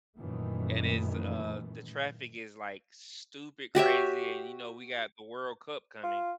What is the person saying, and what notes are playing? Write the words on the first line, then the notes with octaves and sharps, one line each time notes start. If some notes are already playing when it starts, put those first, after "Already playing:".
and it's, uh the traffic is, like, stupid crazy, and, you know, we got the World Cup coming
F#2 A#2 D#3 E3 A3
F#4 G4 C#5 E5
F4